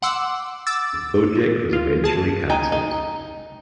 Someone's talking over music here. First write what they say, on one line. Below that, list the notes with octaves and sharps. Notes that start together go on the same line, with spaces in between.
The project was eventually cancelled.
F#5 C6 D6 E6
D6 E6 A6
F4
G#4 A5
D#4 G5 G#5 A#5
D#4